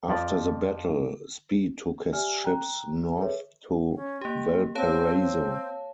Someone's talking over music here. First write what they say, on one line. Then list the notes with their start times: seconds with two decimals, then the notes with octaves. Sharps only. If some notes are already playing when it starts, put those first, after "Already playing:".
After the battle, Spee took his ships north to Valparaiso.
0.09 F2 F3 D5
2.13 G4 D5 E5 G#5 F6
2.44 G5 A#5 F#6
3.18 G#4 A4 B4 C#5 E5
3.95 C#4
4.21 A#3 G4 G5
4.75 C4 C#5 F5 A5
5.20 C4